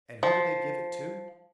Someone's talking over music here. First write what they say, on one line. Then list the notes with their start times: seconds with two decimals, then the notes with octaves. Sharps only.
And who do they give it to?
0.23 F3